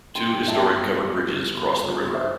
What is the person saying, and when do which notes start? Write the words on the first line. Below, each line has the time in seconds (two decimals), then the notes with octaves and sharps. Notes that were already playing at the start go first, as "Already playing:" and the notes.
Two historic covered bridges cross the river.
0.15 G2 G5 C6
0.31 G1
0.43 G5
0.48 G1 E5 A5
0.65 G2
0.82 G1
0.98 G1
1.15 G1
1.32 G1
1.47 E3
1.65 G1
1.81 G1
1.98 G2
2.14 C5 E5